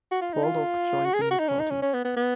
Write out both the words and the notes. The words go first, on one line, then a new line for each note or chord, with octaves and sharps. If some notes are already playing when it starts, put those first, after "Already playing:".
Baldock joined the new party.
F#4
F4
D#4
F4
F#4
G#4
A#4
F#4
D#4
C#4
D#4
C#4
C#4
B3
B3
B3